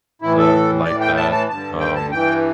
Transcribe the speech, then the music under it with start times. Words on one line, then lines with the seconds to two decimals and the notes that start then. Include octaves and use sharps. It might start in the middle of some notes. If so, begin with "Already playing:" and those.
uh, like that. Um,
0.22 A2 E3 E4
0.38 A4
0.85 A2 E3 D5
1.01 G5
1.17 A5
1.32 A5
1.48 G2 D3 A5
1.80 G5
1.95 A5
2.12 G2 E3 G5